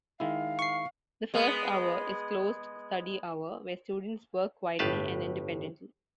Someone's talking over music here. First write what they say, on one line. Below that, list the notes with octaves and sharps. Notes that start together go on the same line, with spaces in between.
The first hour is "closed study hour" where students work quietly and independently.
D#3 G#3 E4 F5
C#6 C7
G#3 B3
G1 A2 G4 B4 F5 A5